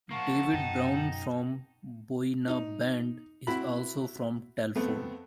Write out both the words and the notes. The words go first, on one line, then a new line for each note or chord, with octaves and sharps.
David Brown from Boyinaband is also from Telford.
F3 A#3 F#5 A5 C#6
F#2 B2 D#4 G5
D#4
C4 E4 F#4 E5 B5
F2 A3 B3 C4